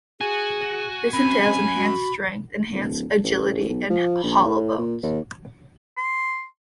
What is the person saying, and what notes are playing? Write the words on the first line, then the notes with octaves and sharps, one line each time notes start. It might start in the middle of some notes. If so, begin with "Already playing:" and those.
This entails enhanced strength, enhanced agility, and hollow bones.
F#4 G#4 G#5
F#2 C4 B5
F#4
D1
A1
B1
F3
A#1
A2
A#2
D#2
C6